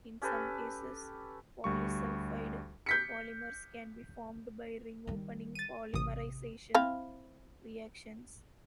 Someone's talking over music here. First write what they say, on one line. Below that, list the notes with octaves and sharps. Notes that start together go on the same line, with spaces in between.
In some cases, polysulfide polymers can be formed by ring-opening polymerization reactions.
C#4 G4 A4 B4
D2 G3 C#6
G6 B6 C#7
D#3 G3
A6 D#7
A1 C3 D#6
C4 E4 F5